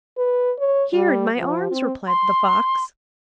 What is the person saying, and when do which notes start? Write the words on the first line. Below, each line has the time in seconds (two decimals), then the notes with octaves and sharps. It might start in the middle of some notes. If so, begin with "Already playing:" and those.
'Here, in my arms,' replied the fox.
0.18 B4
0.59 C#5
0.94 G3
1.37 F3
1.71 C4
2.07 C6